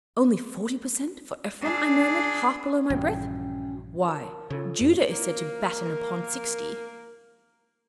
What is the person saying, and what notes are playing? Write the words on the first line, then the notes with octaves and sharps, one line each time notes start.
'Only forty per cent for Ephraim!' I murmured, half below my breath. 'Why, Judah is said to batten upon sixty.'
D4 G#4
A#1 G2 E3 C#4 F#4 G5
A#4 A5
C#3 F4 A4 C#5
F#2
A#3 A#4